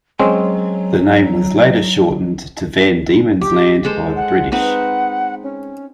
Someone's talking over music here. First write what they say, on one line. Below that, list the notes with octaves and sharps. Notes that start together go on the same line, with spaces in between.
The name was later shortened to Van Diemen's Land by the British.
F#3 G#3 C4 C#4
G4
G#3 A4 C5
F#5
C4 D#4 B4 F#5
C#4